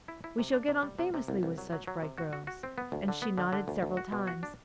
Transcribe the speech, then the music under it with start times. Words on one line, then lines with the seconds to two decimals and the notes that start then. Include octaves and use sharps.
"We shall get on famously with such bright girls," and she nodded several times.
0.08 E4
0.24 E4
0.39 C3
0.53 D4
0.68 C3
0.83 G3
0.99 C3
1.14 C3
1.28 C2
1.43 C2
1.58 F#3
1.72 F#3
1.87 F#3
2.02 C3
2.18 F#4
2.33 F#4
2.47 F#4
2.63 C4
2.78 B3
2.92 D2
3.08 D3
3.22 B3
3.38 D3
3.53 D3
3.68 D2
3.83 D2
3.97 F#4
4.12 B2
4.27 F#4
4.43 D4